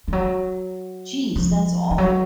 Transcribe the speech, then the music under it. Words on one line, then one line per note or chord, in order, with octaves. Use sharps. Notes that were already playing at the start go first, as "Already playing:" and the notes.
Jeez, that's awful!
F3
F#3
F3
F3
F#3